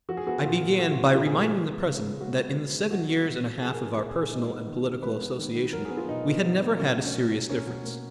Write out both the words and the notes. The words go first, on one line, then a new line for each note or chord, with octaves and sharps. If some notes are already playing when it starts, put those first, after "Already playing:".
I began by reminding the President that in the seven years and a half of our personal and political association we had never had a serious difference.
F3 F#4
G#4
B3 F#4
A#2 F4
A#2
F3 F#4
F4
B3
D#4
A#2 F4
G#4
A#2
A#4
G#3
B3
C#3
C#3
G#3 F#4
B3
C#3
C#3
F3 F#4
B3
A#2
A#2
F3 G#4
A#4
B3
G#4
A#2 A#4
A#2 G#4
G#3 D#4
B3
D#3
D#3
G#3 B4
B3
D#3
D#3
F#3 A#4
G#4
B3
F4
B2 D#4
B2
F#3
B3
B2 C#4
B2
C#4
A#3
B2
A#3 C#4
B2
A#3